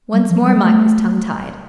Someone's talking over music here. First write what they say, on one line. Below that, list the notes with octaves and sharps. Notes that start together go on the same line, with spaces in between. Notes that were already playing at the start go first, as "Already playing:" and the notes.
Once more Mike was tongue-tied.
G3
F3
G3
A3